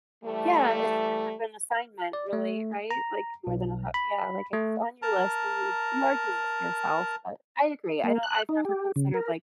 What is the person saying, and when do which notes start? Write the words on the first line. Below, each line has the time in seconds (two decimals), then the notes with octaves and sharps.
Yeah, it's kind of an assignment really, right, like, more than a h yeah, like, it's on your list and you you are doing it for yourself, but I agree, I don't I've never considered, like,
0.23 E3 G3 A3
2.13 D5
2.33 A3
2.91 A#5
3.47 B1
3.94 B5
4.53 A3
5.02 A#4 A5 A#5
8.04 A#3
8.23 F#6
8.49 D#4
8.65 G4
8.96 C#3
9.14 A#4